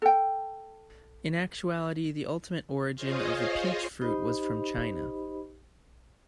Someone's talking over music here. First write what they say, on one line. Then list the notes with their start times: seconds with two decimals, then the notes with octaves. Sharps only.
In actuality, the ultimate origin of the peach fruit was from China.
0.02 A4 G5
2.96 F4 G#4 C5 C#5 D#5 F5
4.01 D#4 G4 C5 D#5 B5